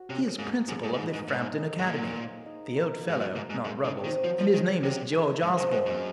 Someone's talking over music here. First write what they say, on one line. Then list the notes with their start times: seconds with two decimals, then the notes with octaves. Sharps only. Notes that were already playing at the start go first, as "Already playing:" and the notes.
He is principal of the Frampton Academy--the Old Fellow, not Ruggles--and his name is George Osborne.
Already playing: F#4
0.10 C3 C#4
0.39 G#2 A#3
0.68 F#2 G#4
0.84 G#2
0.93 A#2
0.98 G#2 D#4
1.14 G#2
1.28 G#2 D#4
1.58 D#5
1.79 G#2
1.87 A#2 A#4
2.17 F5
2.46 D#4
2.76 A#4
3.05 G#2 F#4
3.20 F#2
3.35 G#2 A#4
3.50 G#2
3.65 G#2 A#4
3.85 C#3
3.95 C4
4.04 D#3
4.24 F3 F#3
4.39 F3
4.53 D#3 G#4
4.83 C3 F#3
5.12 G#4
5.42 G#2 F3
5.58 F#2
5.72 G#2 G#3
5.86 F#2